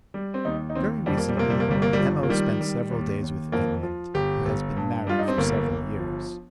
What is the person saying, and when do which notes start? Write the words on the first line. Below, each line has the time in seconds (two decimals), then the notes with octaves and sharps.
Very recently M.O. spent several days with Edmund, who has been married for several years.
0.14 G3
0.34 C4
0.45 D#2 D#4
0.70 D#4
0.75 D#2 C4
1.06 F2 G3
1.17 A#3
1.29 G3
1.37 C3 A#3
1.50 G3
1.60 A#3
1.68 G1 G3
1.82 A#3
1.93 G3
1.99 F3
2.23 A#3
2.30 D#3 G3
2.60 G3
2.91 D#2
3.22 D#2
3.52 F2 A#3
3.83 F3
4.14 G1 G4
4.45 G1
4.77 G2
5.07 G3 F4
5.19 D#4
5.28 C4
5.38 G1 A#3
5.69 G1
5.99 F3